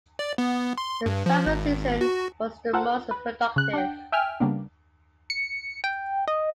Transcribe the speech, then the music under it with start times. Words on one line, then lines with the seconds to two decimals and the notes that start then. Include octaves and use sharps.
The summer season was the most productive.
0.19 D5
0.38 B3
0.78 C6
1.06 G2
1.26 F3
1.46 G#1
2.01 F#4
2.73 F4 A4 A#4 C5 F#5
3.11 B4
3.56 C#3 F#6
3.73 D4 F#5 G5
4.12 E5 G5 G#5 F6
4.40 C#3 G3 A#3 B3 D4
5.30 C#7
5.84 G5
6.28 D#5